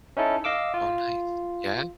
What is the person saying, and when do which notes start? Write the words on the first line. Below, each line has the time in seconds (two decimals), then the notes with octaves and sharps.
Oh, nice. Yeah?
0.17 C#4 D#4 E4 A4
0.44 D#5 F5 D6 E6
0.74 F4